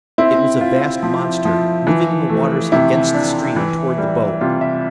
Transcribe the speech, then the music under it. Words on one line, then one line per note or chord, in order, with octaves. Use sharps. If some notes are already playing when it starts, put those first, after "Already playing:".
It was a vast monster, moving in the waters against the stream and toward the boat.
C4 E4
F4
F3
F3
E3
A3
C3 E4
D4
E3
G3
C3 F4
E5